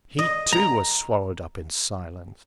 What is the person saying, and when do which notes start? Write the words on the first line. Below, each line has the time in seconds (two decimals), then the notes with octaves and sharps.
He, too, was swallowed up in silence.
0.19 D#5
0.52 A#5